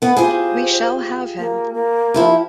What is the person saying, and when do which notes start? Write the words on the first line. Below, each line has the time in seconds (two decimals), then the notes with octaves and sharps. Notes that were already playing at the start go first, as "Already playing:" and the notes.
We shall have him.
0.02 B3 F#5
0.17 F4 G4 G#4 C5
1.38 A#3
1.74 A#3
2.14 F3 E4 G4